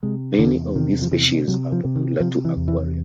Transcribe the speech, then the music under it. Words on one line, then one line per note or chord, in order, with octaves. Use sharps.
Many of the species are popular for aquaria.
C3 G#3
E2 D3
C3 D#3
F3
C3 E3
C3 F#3
F3
C3
D#3
C3 F3
E3
E2
E3